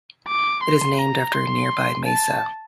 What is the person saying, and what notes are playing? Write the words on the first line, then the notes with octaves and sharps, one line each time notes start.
It is named after a nearby mesa.
D6
C6
A#5
C6
A5